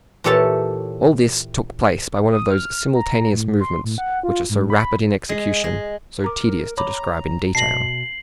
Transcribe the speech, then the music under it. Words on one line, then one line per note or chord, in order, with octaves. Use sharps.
All this took place by one of those simultaneous movements which are so rapid in execution, so tedious to describe in detail.
A#2 E3 G4 A4 C#5 A5
D#6
F6
A#5
A2
C6
A2
F#5
F4
G#2
B5
G#3
G#3
A#4 A#5 D6
C#5 A#5 B5 D6
B2 A5 A#6 C7 F#7